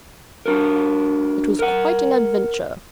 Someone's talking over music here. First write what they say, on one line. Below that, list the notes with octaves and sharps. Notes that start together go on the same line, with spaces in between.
"It was quite an adventure."
D4 F#4 A#4
A#4 F#5